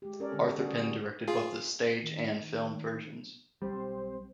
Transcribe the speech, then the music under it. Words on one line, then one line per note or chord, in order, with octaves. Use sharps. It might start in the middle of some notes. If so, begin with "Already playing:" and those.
Arthur Penn directed both the stage and film versions.
G#3 G4
C#4 A4 A#4 C#5 D5
D3 G3 C4 A4
G3 C#4 F#4 G#4
G3
F4 G#4
D#3
B1 G3 C4 C5